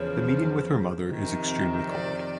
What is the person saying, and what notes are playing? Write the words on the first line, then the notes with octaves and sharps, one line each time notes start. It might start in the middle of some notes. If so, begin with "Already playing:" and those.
The meeting with her mother is extremely cold.
Already playing: E2 C#3 F3 C#5
F2 C3 D#3
D5